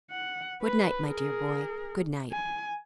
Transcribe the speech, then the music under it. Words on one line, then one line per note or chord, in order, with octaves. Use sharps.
Good-night, my dear boy, good-night.
F#5
B4
G#4 A#4
G#5